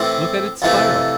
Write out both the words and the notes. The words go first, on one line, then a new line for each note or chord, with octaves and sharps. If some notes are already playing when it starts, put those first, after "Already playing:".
"Look at its spiral!"
Already playing: A2 E3 A3 C4
F2 C3 E3 A3